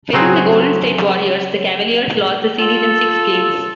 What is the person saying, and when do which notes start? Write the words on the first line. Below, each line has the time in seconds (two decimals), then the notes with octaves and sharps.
Facing the Golden State Warriors, the Cavaliers lost the series in six games.
0.13 C#3 F#3 C4 G#4
2.59 F4 A4